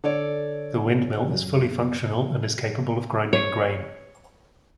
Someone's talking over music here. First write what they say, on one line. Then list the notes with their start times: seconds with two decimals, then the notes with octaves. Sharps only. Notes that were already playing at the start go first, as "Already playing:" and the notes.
The windmill is fully functional, and is capable of grinding grain.
0.04 D3 A4 C#5 D5
1.31 F#2
3.33 C#5